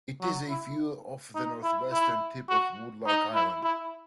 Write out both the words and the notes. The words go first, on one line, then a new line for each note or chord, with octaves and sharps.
It is a few off the northwestern tip of Woodlark Island.
F#3
E4
D#4
E4
E4
F#4
D#4
E4
E4